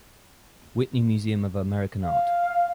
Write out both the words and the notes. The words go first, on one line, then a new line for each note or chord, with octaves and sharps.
Whitney Museum of American Art.
F5